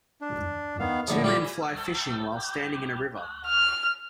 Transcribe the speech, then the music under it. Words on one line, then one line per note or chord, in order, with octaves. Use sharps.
Two men fly fishing while standing in a river.
D4
D#3 B3 F5
A#1 A2 D3
G3 F4 G4
F6